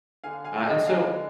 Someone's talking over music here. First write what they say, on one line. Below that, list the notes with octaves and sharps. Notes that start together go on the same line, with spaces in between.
Uh, and so,
D3 F5 G#5
F5 G#5
G#3 D4 D#5 G5
F5 G#5
D3